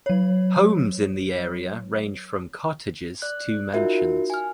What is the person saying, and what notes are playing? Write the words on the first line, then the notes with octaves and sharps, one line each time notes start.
Homes in the area range from cottages to mansions.
F#3 C#5
D5 F#6
D#4 F4 F#4 A#4 E5
G#5 F6